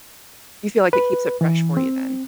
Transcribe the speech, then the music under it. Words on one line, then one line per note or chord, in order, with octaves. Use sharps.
You feel like it keeps it fresh for you, then?
B4
E3
C4